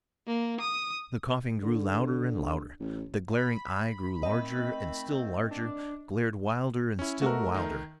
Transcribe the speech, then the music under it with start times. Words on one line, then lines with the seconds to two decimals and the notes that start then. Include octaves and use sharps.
The coughing grew louder and louder, the glaring eye grew larger and still larger, glared wilder and still wilder.
0.27 A#3
0.61 D#6
1.62 D3
2.80 A1
3.37 B5
4.23 D#3 A3 C4 D#5
5.51 D4
6.99 C#4 E4
7.22 A3 F#4 A#4
7.55 D#3 D#4